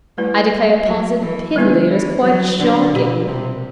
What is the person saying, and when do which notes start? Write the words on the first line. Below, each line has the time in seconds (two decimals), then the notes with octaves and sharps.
I declare positively it is quite shocking.
0.18 G3 A3 E4 B4
0.52 G3
0.87 F#3
1.22 E3
1.55 D3 G3 B3 E4 B4
1.90 E3
2.25 F#3
2.60 D3
2.93 B2 D4 G4 B4
3.27 C3